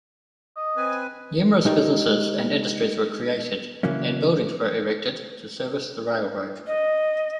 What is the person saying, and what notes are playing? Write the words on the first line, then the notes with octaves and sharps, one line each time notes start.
Numerous businesses and industries were created and buildings were erected to service the railroad.
D#5
C4 B4 G#5
G#3 D#4 G4 A4 A#4 C#5
C#3 E3 F#3 A#3 C#4
D#5